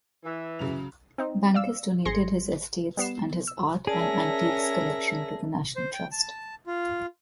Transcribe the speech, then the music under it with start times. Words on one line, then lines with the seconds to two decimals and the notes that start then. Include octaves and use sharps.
Bankes donated his estates and his art and antiques collection to the National Trust.
0.24 E3
0.59 C#3 F#3 F7
1.18 C4 D#4
1.54 D5 F5 E6
2.05 G#1 G#4 C6 G#6 A#6 C#7
2.97 G3 B3 C7 E7
3.47 E6
3.87 C#4 G#4 A#4 D5 E5 A5 A#6
5.75 C5
5.93 G5
6.12 A5
6.67 F4